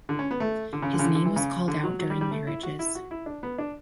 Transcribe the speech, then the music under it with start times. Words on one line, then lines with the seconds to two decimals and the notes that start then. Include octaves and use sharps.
His name was called out during marriages.
0.09 D3
0.19 C#4
0.31 B3
0.40 A3
0.73 D3
0.82 C#3
0.93 D3
0.99 C#3
1.04 D3
1.15 D3
1.25 E3
1.36 C#3
1.68 D3
1.84 F#3
1.99 F#3
2.10 G3
2.21 G3
2.31 A3
2.47 E4
2.63 F#4
2.79 E4
2.95 F#4
3.11 E4
3.26 D4
3.43 B3
3.58 D4